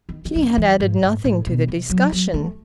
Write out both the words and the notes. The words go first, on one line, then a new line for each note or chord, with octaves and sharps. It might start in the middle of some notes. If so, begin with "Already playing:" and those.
She had added nothing to the discussion.
D#3
D#3
D#3
C#3
E3
G#2
G#2
A2
B2
D#3
F#3
F#3
A3